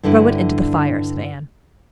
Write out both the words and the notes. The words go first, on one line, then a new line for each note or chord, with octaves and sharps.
"Throw it into the fire," said Anne.
G2 D3 D4 E4